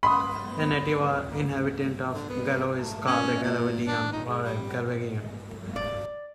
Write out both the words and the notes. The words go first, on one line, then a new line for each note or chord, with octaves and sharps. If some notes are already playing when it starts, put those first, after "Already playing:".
A native or inhabitant of Galloway is called a Gallovidian or a Galwegian.
B5 C6 D#6
D3
B3
A3
C#4
A#2
D4
D#4
G#3
G3
D5